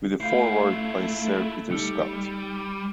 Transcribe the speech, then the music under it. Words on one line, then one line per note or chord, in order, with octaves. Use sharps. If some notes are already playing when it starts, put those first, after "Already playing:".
With a Foreword by Sir Peter Scott.
A3 E4 F4 F5 G6 C7
G3 D#4 E6 C#7